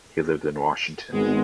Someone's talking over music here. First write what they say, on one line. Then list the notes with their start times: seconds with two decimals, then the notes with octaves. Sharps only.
He lived in Washington.
1.12 G#1 G#3 B3